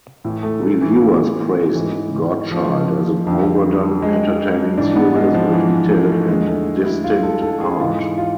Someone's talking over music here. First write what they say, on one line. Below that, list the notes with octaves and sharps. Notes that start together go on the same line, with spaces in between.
Reviewers praised "Godchild" as an overdone, entertaining series with detailed and distinct art.
A2 E3
A3
A3
E3
G#2 E3
F3
F2 D3
G#3
G#2 E3 D4
B3
G#3
F3
E3
A3
E2 D3 G#3
A3
E4
F4
A4
A4
G#4
G#2 E3 F4
F4